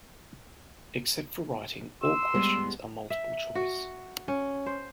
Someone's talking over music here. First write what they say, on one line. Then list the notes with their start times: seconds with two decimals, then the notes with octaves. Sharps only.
Except for writing, all questions are multiple-choice.
2.03 C6 E6
2.34 G3 G#3 B3
3.10 E5
3.55 F#4
4.28 C#4
4.66 C5